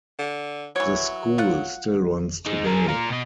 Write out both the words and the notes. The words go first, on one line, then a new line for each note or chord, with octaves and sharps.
The school still runs today.
D3
E3 F#3 C#5
F4 F#5
G#3 D#4
G#4 A#4
F4 A#4
B2 D#5